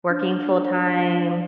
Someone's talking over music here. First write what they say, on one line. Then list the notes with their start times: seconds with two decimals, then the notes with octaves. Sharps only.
working full time
0.09 D4